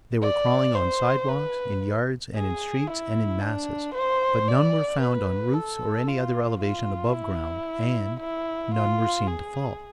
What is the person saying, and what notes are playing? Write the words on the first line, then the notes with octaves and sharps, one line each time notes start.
They were crawling on sidewalks, in yards, and in streets, and in masses--but "none were found on roofs or any other elevation above ground" and "none were seen to fall."
D5
C5
B4
G#4
E4
D4
C5
D5
B4
A4
F4
F4
E4
E4
F4
G#4